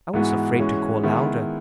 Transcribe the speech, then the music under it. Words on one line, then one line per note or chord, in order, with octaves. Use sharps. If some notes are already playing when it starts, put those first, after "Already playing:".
I was afraid to call louder.
G#2 E3 G#3 B3 F#4
E3 G#3 C#4 F#4
D#3 G#3 B3 E4